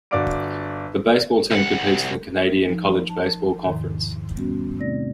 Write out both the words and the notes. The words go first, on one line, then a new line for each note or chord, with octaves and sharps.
The baseball team competes in the Canadian College Baseball Conference.
G1 F#4 D5 F5 D6 D7
C2 F#5
F3 D#4
A5
E2 G#2 C3 D#3
G3 B3 C#4 F#4
C3 A3 C4 D#4 D5 A#6